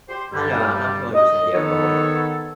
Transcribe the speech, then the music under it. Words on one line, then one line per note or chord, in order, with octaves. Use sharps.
I know. I I'm familiar with San Diego, La Jolla.
G4 C5
G2 G3
D#5
D#3 B3 A4 C#5